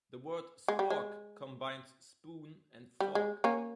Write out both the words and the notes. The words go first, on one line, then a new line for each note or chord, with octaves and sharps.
The word "spork" combines "spoon" and "fork".
G#3
G3
G#3
G3
G#3
A#3 C#4